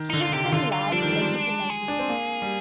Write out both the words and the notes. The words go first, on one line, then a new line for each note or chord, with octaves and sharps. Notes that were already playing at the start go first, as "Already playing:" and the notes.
He still lacked legitimacy.
Already playing: D#3
D3 D#4
F4
C3 G4
D#3
D3 F4
F4
G3
F3 D4
D#3
G3
G#3
G#4
D4
C4
A#3
G3